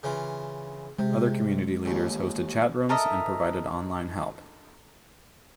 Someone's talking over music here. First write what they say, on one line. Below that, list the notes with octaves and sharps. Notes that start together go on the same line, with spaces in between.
Other community leaders hosted chat rooms and provided online help.
C#3 E3 F4
C3 G#3
A1 D#2
A4 A#4 D#5 E5